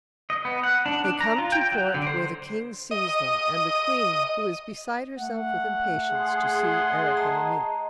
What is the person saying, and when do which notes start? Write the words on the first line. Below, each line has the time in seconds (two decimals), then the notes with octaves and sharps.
They come to court, where the King sees them, and the Queen, who is beside herself with impatience to see Erec and Enide.
0.30 D#5
0.45 B3
0.63 F#5
0.86 D4
1.05 D4
1.21 A#5
1.38 F4
1.52 G5
1.72 F#3
1.94 D3
2.07 C5
2.91 D#5
5.19 A3 F#5
6.08 G#4 C6
7.17 D#5 A5 A#5